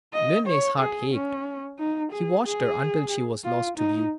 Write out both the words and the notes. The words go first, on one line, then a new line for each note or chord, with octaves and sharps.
Linley's heart ached; he watched her until she was lost to view.
D#5
C#5
G#4
C#4
D#4
G#4
G#4
F4
D#4